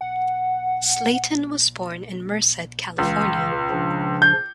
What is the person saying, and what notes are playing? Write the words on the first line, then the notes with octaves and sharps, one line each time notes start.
Slaton was born in Merced, California.
F#5
C#2 C#3 E3
C#3 F3 D4
G6